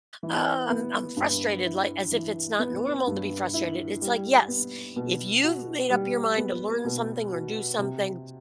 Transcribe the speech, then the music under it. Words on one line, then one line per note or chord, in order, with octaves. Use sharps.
"Ugh, I'm I'm frustrated." Like, as if it's not normal to be frustrated. It's like, "Yes. If you've made up your mind to learn something or do something"
E3
B3
G2
E4
E3
B3
G2
E4
G3
B3
B2
F#4
G3
B3
B2
F#4
C3